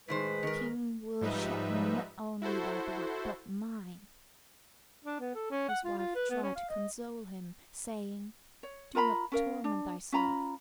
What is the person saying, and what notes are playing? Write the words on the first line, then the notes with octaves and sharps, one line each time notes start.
The king will shed not only thy blood but mine." His wife tried to console him, saying: "Do not torment thyself.
A2 D#3 G#3 B4 C5
D#3 A#4
G#2 F3 G3 D#4 B4 E5
E4 F#4 A4 C5
D4
B3
A4
C#4
F#5
F4
F4
B4
B3
C#4
F5
D#5
C#5
F4 A#4 A#5 B5
C#4 A#4 F5
D4
C#4 F4 A#5 B5